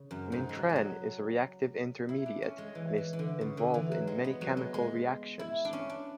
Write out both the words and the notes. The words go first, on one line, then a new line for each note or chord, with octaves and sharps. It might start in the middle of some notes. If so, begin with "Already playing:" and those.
A nitrene is a reactive intermediate and is involved in many chemical reactions.
Already playing: C#3
F#2
G#2
G#3
F#3
G#3
F#3
E4
D4
C#4
G#3
E3
E3
E3
D3
C#3
D3
E3
F#3
G#3
B3
F#3
G#3
G#3
E4
D4
C#4
D4